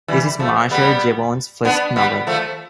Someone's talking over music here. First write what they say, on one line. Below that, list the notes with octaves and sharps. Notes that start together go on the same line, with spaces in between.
This is Marshall Jevons' first novel.
E3 G3
F3 A3
G3 B3
B3 D4
G3 B3
F3 A3